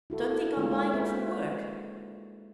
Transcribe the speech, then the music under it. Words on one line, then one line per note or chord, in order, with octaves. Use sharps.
Don't think I'm buying him for work.
E4 F#4 A4
G#3 A#3 D4 F4 G#4 A#4
F#4 B4 C5 E5